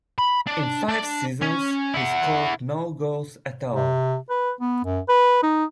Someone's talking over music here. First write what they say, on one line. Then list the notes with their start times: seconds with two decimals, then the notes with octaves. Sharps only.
In five seasons he scored no goals at all.
0.18 B5
0.47 D4
0.89 D4
1.42 C#4
1.94 E4 F#5
3.74 C3
4.29 B4
4.61 B3
4.85 F#2
5.08 B4
5.43 D#4